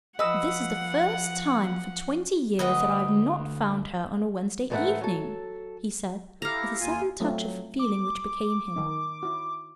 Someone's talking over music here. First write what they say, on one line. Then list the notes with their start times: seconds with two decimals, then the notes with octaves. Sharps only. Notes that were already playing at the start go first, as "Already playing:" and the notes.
"This is the first time for twenty years that I have not found her on a Wednesday evening," he said, with a sudden touch of feeling which became him.
0.19 F3 B4 D#5 F#5 E6
2.59 D2 B4 D#5 F#5
4.70 G#2 E3 A3 A4 E5 F#5
5.01 F#3 A4
6.42 E4 G4 A4 F5 A#5
6.80 D#2 F4 G#5
7.20 F#3 A3 C4 F4
7.79 D6
8.76 D#3 D#4
9.23 E4 F#4